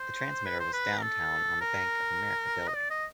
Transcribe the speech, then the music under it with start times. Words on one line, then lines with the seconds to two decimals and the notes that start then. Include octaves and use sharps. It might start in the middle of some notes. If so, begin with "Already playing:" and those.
The transmitter was downtown on the Bank of America building.
Already playing: C5
0.45 B4
0.59 C5
0.73 B4
0.99 A#4
1.02 A4
1.61 A#4
2.67 D#5
2.76 D5
2.90 D#5